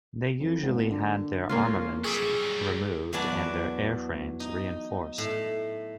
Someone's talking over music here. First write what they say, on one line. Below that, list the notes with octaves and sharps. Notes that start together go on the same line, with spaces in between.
They usually had their armaments removed and their airframes reinforced.
F2
G#1
A#2
D3
C2 A#3 C#4 F4
F#3 G3 G#4
E2 F#3 F#4 B4 D5 A5
D#4
A2